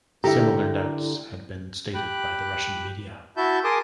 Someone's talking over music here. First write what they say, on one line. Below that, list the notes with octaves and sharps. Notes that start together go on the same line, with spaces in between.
Similar doubts had been stated by the Russian media.
D3 E4 G4 A4 A#4 A#5
G4 G5 B5 F#6
E4 F#4 E5 A5 G6
G#4 A#4 A5 C6 D6 D#6